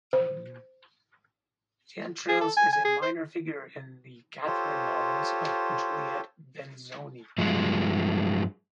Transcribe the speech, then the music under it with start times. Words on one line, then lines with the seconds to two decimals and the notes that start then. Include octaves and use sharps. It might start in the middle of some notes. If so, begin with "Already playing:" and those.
Xaintrailles is a minor figure in the "Catherine" novels of Juliette Benzoni.
0.13 C5
2.29 G#4
2.41 A4
2.57 G#5
2.73 G#5
2.85 G#4
3.02 C5
4.47 F4 G4 A4 C5 C#5
7.38 G2 F3 F#3 G#3